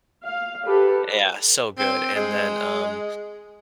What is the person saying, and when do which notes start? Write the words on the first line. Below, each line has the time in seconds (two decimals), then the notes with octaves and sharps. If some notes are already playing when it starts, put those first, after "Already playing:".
Yeah, so good. And then, um,
0.24 F5
0.66 G4 A4 B4
1.78 C4
2.15 G#3